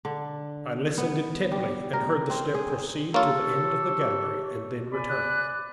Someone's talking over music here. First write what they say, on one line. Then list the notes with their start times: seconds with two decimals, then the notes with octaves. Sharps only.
I listened intently, and heard the step proceed to the end of the gallery and then return.
0.05 D3
0.98 B3
1.52 G3
1.93 A#4
2.30 C4
2.54 G#4
3.14 A#3 F4 G4 A4 C#5
4.93 D5 G#5 B5
5.09 F#6